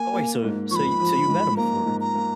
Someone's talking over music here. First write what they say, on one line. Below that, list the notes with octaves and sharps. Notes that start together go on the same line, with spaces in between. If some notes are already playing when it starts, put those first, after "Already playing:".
Oh, wait, so so y so you met him before?
Already playing: A#3 G#5
A#3
G#2
F3 C#6
B5
F3
G#2
A#3 A#5
G#2
A#5
A#3